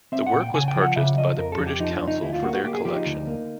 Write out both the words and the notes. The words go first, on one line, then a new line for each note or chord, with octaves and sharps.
The work was purchased by the British Council for their collection.
C4 E5
F#5
A#2
G5
C#3 G#5
G5
F3
F#5
C#3 E5
F3 D#5
F2 A#4
A4
F2
G4
F3 D#4
D4
F2
D#4
D2 E4
F4
A#3 F#4
F#4
A#3 G4
G#4
F3 G4
D#4
D2
A#3